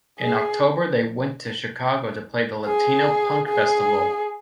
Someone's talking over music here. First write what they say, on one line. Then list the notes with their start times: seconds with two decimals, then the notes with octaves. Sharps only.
In October they went to Chicago to play the Latino Punk festival.
0.19 G#4
2.66 G#4
3.48 G#4